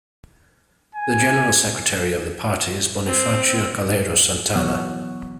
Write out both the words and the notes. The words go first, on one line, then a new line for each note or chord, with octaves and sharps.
The general secretary of the party is Bonifacio Calero Santana.
G#5
C4
B2 E3 F#3 B3 C#5 F#5